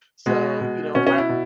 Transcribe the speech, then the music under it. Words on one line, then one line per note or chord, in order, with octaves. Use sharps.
So, you know, I
B2 G#3
B2
B2 C#4
C#4
E4
B2